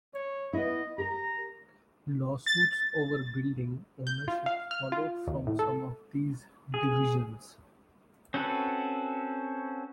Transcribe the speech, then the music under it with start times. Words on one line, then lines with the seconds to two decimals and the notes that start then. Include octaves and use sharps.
Lawsuits over building ownership followed from some of these divisions.
0.14 C#5
0.53 B3 E4 D#5
0.98 G4 A#4 A#5
2.46 A6
4.07 G6
4.28 F4
4.46 F5
4.71 F6
4.92 F4
5.27 D#2
5.47 A2
5.59 A4
6.74 G#4
8.34 C4 C#4 F#4 A4 B4